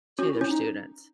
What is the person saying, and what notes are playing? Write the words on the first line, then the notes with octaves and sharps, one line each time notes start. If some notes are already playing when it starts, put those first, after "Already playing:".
to their students.
C#4 F#4
E4
C#4
D#4